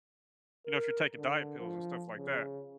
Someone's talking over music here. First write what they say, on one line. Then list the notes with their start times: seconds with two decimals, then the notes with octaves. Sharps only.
you know, if you're taking diet pills and stuff like that.
0.66 A#4
1.17 D3
1.59 F3
2.18 C#3